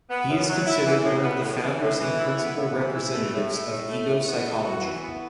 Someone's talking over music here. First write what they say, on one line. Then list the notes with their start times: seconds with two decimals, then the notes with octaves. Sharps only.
He is considered one of the founders and principal representatives of ego psychology.
0.09 B3
0.28 F#2
0.48 F#3
0.66 E4
0.85 E3
1.04 A2
1.23 B3
1.41 A2
1.61 E3
1.80 A2
1.99 E3
2.17 E4
2.36 B3
2.56 A2
2.74 E3
2.93 E4
3.12 A3
3.31 A2
3.51 E4
3.69 A2
3.88 A3
4.07 A2
4.26 B3
4.45 A4
4.63 F#4
4.82 E3
5.01 B3